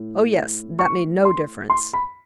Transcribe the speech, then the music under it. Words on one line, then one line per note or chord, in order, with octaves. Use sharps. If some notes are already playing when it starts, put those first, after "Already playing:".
"Oh, yes; that made no difference."
Already playing: A2
C#6
C6
C6
B5